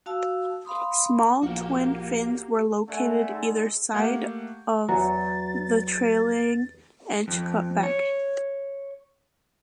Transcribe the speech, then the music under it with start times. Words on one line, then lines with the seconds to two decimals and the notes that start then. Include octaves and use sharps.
Small twin fins were located either side of the trailing edge cutback.
0.06 F#4 F5 A5 E6
0.65 F5 B5 C6 D#6
1.43 A#1 A#3 F#4 G4 F5
2.88 D3 A3 F#5 G#5
3.29 G#3 D#4 A4
3.94 A3 A#3 G4 F5 F#5 G6
4.89 E2 F#3 F#4 A#5 A6
7.28 F2
7.83 C#5